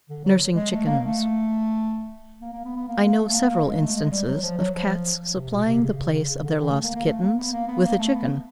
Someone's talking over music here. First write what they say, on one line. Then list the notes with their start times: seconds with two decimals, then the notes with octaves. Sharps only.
NURSING CHICKENS.--I know several instances of cats supplying the place of their lost kittens with a chicken.
0.10 D3
0.24 F#3
0.56 G#3
0.71 A3
0.86 A#3
1.02 A3
2.41 A#3
2.53 A#3
2.65 B3
2.76 B3
2.88 A#3
3.03 A#3
3.18 A3
3.29 A3
3.34 A#3
3.49 A#3
3.65 G#3
3.81 A3
3.96 G#3
4.11 G3
4.27 F#3
4.43 F3
4.58 F#3
4.74 F3
5.36 C3
5.51 B2
5.67 C3
5.82 C#3
5.97 C#3
6.14 C#3
6.29 C#3
6.44 D3
6.60 D#3
6.71 A3
6.83 A#3
6.95 A#3
7.06 A3
7.21 A#3
7.37 B3
7.52 A#3
7.68 B3
7.83 A#3
7.99 A3
8.15 B3